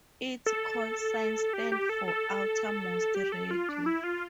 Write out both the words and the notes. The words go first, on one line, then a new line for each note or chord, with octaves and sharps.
Its call-sign stands for "OuterMost Radio".
A4
G4
G4
A4
A4
G4
A4
F4
D4
E4
F4